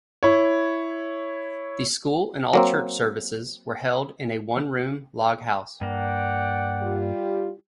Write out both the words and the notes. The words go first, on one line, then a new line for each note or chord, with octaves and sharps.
The school and all church services were held in a one-room log house.
E4 C#5
F#3 A#3 C4
G2 A#3 D5 F#5 G5
G3 F4 G4